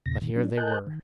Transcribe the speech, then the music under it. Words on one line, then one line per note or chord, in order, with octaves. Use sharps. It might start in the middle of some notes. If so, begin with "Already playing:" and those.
But here they were.
E2 A#2 C#3 A#6
A#2 D#3
F#3 C#4 D4
A#4 D#5 G#5 A5 F#6 G6
D#3